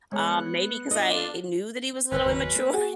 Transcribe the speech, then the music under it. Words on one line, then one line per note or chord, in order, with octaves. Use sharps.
Um, maybe 'cause I knew that he was a little immature and
G#3 B3 C#5 F#5
D4 F4 D#5
G1 E2 C#3 G#3 C#4 B4
F#1 D#2 F#3
A#3
F#4 G#4